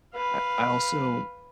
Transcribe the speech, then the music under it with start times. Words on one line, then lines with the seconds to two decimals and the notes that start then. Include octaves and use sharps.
I I also
0.14 B4 F5